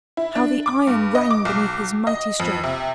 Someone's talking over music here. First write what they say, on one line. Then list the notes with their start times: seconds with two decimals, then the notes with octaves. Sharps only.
How the iron rang beneath his mighty stroke!
0.17 E4
0.35 D4
0.66 D6
0.87 G2
1.15 D#5
1.31 D6
1.45 B1
2.07 D#5
2.40 F2
2.63 C3